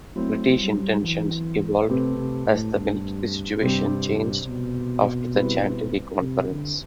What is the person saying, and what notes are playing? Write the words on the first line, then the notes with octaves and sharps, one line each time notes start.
British intentions evolved as the military situation changed after the Chantilly Conference.
F#3 A3 C4 E4
G3
E3
C3 A3 C4 G4 B4
C3
A2
G2
G2 C3 G3 C4 G4
B2
G3 C4 E4 B4
C3
D3